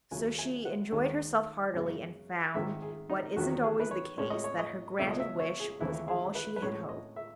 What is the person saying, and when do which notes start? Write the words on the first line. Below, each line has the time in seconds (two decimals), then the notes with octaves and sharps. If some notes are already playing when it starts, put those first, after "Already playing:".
So she enjoyed herself heartily, and found, what isn't always the case, that her granted wish was all she had hoped.
0.11 D#2 C#3 F#3 A3 G#5
0.39 G#5
0.65 F#5
0.92 D#2 D#3 G#3 C#4
1.74 F#2 C#3 G#3 B3
2.55 G#2 D#3 G#3 E5
2.82 G#4
3.10 D#4
3.36 E2 D#3 F#3 B3 F#4
3.64 G#4
3.80 B4
3.91 C#5
4.18 A2 G#3 C#4 C#5
4.30 D#5
4.44 C#5
4.59 D#5
4.99 C#2 B2 F#3 A3 C#4 E5
5.11 D#5
5.20 E5
5.40 C#5
5.60 G#4
5.80 D#2 C#3 E3 A3 E4
6.08 G#4
6.35 B4
6.56 B4
6.62 A2 G#3 C#4 C#5
6.89 D#5
7.16 E5